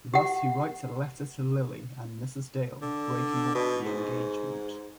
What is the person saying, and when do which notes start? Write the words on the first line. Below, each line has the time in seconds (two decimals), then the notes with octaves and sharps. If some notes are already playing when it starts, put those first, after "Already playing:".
Thus he writes a letter to Lily and Mrs. Dale breaking off the engagement.
0.14 G4 F#5
2.82 D3
3.55 B2
3.86 G#2